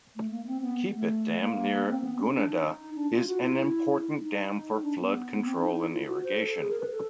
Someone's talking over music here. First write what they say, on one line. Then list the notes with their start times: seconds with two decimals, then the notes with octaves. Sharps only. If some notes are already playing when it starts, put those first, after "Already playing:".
Keepit Dam near Gunnedah is an important dam for flood control and irrigation.
0.15 A3
0.30 A#3
0.46 C4
0.62 B3
0.94 A3
1.40 A#3
1.90 C4
2.02 B3
2.18 C#4
2.33 D4
2.49 D#4
2.96 D4
3.11 F4
3.27 F#4
3.43 E4
4.21 D#4
4.83 D4
4.98 B3
5.45 C4
5.61 D#4
5.76 E4
5.92 F4
6.07 F#4
6.23 C5
6.39 A4
6.50 A4
6.60 G#4
6.70 A#4
6.80 B4
6.91 A4